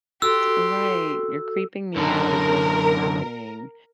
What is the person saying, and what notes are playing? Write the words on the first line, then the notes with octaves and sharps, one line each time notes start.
Right. You're creeping me out is what's happening,
F#4 G4 A4 C6 E6
F#2 D3 A#4